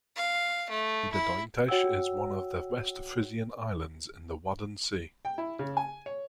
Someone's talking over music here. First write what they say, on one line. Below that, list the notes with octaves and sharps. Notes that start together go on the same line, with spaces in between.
Zuiderduintjes is one of the West Frisian Islands in the Wadden Sea.
F5
A3
E4
F#4 C#5 F#5 G5 E6
G5
E4
C#3
G#5
C#5